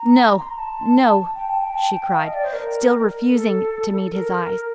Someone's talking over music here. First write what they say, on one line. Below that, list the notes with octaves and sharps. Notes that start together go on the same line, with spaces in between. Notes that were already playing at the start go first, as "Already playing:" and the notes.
"No, no," she cried, still refusing to meet his eyes.
Already playing: A#5
C6
A#5
A5
G5
A5
G5
A5
G5
F5
D#5
D5
C5
A#4
A4
A#4